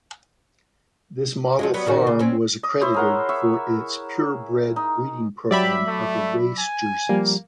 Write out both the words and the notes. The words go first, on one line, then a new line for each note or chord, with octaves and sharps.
This model farm was accredited for its purebred breeding program of the race Jerseys.
F3 F#3 G#3
F#3 G3 B3
A#2 D#3 F#4
C#3
C4 C#4
D#5
E4 C5 C#5 D#5
G#4 A#4 F#5
E5 C#6
D#4
F#3 G4 D5 E5 B5
A3
G#5
F3 G3 A#3